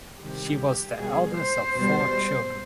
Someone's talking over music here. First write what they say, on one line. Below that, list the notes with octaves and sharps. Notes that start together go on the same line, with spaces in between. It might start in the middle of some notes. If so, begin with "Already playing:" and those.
She was the eldest of four children.
C3 D#3 G3 G4
B2 G3 G#4
C5
B2 G3